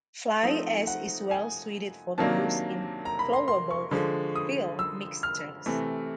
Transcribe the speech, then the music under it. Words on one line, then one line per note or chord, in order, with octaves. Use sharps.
Fly ash is well suited for use in flowable fill mixtures.
F3 A3 C4 D#4
F#5
G#5
C3 D#3 F#3 A#3 D4 A5
A#5
B5
C6
C6
C#6
D3 F3 G#3
D#6
E6
F6
C3 E3 A3